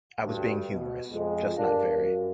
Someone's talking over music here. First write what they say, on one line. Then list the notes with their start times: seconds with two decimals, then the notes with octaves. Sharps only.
I was being humorous. Just not very.
0.23 D2 G2
0.71 B2
1.12 F2 G#3
1.57 G2 D4 A#4 F5
1.96 F#2